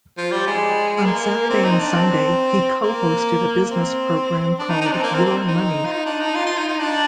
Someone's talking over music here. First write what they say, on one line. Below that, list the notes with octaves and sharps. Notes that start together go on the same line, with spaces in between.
On Saturday and Sunday he co-hosted a business program called "Your Money".
F3
G3
G#3
G#3
A#3
C4
D#4
D4
C4
A#3
C4
D4
D#4
D#4
D4
C4
A#3
C4
C4
D#4
F4
D#4
D4
D#4
F4
F4
D#4
D#4
D4